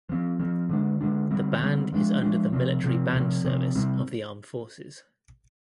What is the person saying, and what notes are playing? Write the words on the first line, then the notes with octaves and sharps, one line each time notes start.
The band is under the Military Band Service of the Armed Forces.
F3 C4
F3 C4
D3 G#3 D4
D3 G#3 D4
D3 G3 C4
D3 G3 C4
F3 G#3 D4
F3 G#3 D4
C3 F3 C4
C3 F3 C4
C3 F3 C4
C3 F3 C4
C3 G3 C4